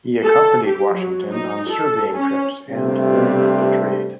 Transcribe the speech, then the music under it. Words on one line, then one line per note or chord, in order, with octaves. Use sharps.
He accompanied Washington on surveying trips and learned the trade.
A4
G4
F#3
D#4
A4
C#4
G2 C3 G3 A3 C4